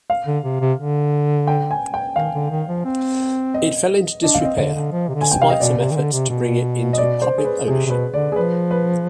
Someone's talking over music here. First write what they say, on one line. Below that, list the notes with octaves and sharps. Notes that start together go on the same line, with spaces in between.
It fell into disrepair, despite some efforts to bring it into public ownership.
F5
D3
C3
C3
D3
G5
G#5
G5
D#3 F5
D3
D#3
F3
C4
D#5
D4 D#5
F5
C4 D#5
D3
D3
F3
C3
D3
G#5
G5
C3 F5
D#5
B2 D5
C3
D#3
D3
C3
B2
D#5
D5
C5
G#4
B4
C3 G#4
C3
B2 B4
D3 D5
G#4
F3 B4
B4